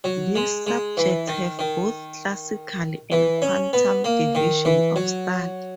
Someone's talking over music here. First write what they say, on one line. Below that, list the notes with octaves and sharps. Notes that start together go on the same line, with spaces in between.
These subjects have both classical and quantum divisions of study.
F#3
G#3
G#3
E3
D#3
D#3
E3
C#4
B3
A#3
D#3
E3
F#3